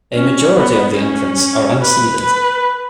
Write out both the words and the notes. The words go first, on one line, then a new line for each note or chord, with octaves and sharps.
A majority of the entrants are unseeded.
C#4
B3
C#4
B4
B4